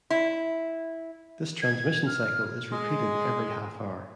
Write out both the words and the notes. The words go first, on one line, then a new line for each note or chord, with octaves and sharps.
This transmission cycle is repeated every half-hour.
E4
G#6
F6
G#3